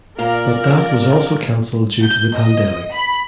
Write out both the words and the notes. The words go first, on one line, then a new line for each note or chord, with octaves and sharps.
But that was also cancelled due to the pandemic.
A#2 A#3 A#4 D5 F5
G6
D#5
B5